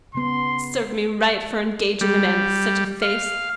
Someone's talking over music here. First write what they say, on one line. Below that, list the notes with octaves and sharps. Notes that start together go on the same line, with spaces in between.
Serve me right for engaging a man with such a face.
C#3 B3 C6
G3
F5